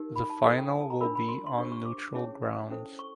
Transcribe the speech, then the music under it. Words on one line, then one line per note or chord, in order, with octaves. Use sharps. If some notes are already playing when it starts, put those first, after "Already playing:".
The final will be on neutral grounds.
Already playing: D#4 G4 A#4
B5
A5
F4 A4 C5
G5
G#5
A5
A#5
D4 F4 A#4 B5
B5
C6
C6
D4 G4 C5 C#6
C#6
D6
C#4 E4 G#4 C#5
C#4 E4 A4 C5
C#6